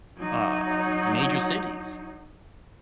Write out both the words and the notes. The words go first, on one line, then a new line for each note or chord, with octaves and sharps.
uh, major cities.
F#3 D#4